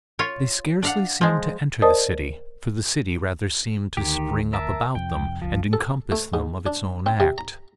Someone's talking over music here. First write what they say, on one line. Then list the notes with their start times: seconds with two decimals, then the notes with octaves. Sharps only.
They scarcely seemed to enter the city; for the city rather seemed to spring up about them, and encompass them of its own act.
0.19 F4 C#5
0.83 D4 F5 F#5
1.21 F3 G#3
1.82 A#4 C5 D5 D#5 A5 D#6
3.97 D2 D#3 G4
4.53 A#4 E5 A5
4.95 F2 C3 G5
5.42 F#1 C#2 F3
5.73 A4
6.12 A3
6.34 G#2
6.66 D4
7.06 C4
7.20 C3
7.38 A#5